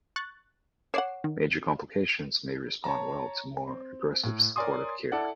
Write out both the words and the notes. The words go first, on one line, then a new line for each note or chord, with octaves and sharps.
Major complications may respond well to more aggressive supportive care.
C#6 F#6 A6
C#5 D5 F#5 D6 C7 E7
D#3
C#5 A5 A#5
C4
A2
A#4 C#5 D5 G#5 C6 D#6
E4 A4 D5 F#5